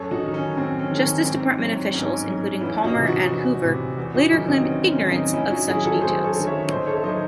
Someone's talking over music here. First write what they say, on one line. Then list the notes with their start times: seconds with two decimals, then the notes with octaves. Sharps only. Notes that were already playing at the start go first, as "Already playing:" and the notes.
Justice Department officials, including Palmer and Hoover, later claimed ignorance of such details.
Already playing: F#2 A4 C#5
0.11 D#4 F#4
0.23 D#3 F#3
0.34 C#4
0.56 F#2 C4
0.79 C#4
0.91 D#3 F#3
1.03 C#4
1.25 G#2 C4
1.59 F#3
1.94 G#2 C#4
2.28 F#3
2.61 E2 C#4 E4
2.84 D#4 F#4
2.95 C3 E3
3.06 D#4 F#4
3.30 E2
3.64 C3 E3
3.97 E2
4.14 D#4 F#4
4.31 D#3 F#3 C#4 E4
4.48 C4 D#4
4.65 E2 C#4
4.88 C#4
5.00 D#3 F#3
5.11 C4 D#4
5.33 F#2 C#4 E4
5.50 D#4 F#4
5.67 D#3 F#3 E4 G#4
5.85 F#4 A4
6.01 F#2 G#4 C5
6.24 A4 C#5
6.36 D#3 F#3
6.47 C#5 E5
6.69 D#2 C5 D#5
6.86 A4 C#5
6.97 E5
7.04 D#3 F#3 C5 D#5